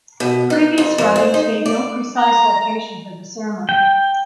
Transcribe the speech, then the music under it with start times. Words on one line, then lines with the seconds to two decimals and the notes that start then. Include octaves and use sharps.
Previous writings gave no precise location for the sermon.
0.20 B2
0.50 D#4
0.78 F2
0.98 F2
1.16 C5
1.34 D#4
1.66 D5
2.17 A#5
3.69 G5